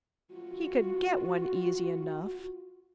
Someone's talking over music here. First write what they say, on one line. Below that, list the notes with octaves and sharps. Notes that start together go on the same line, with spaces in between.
"He could get one easy enough."
F4 F#4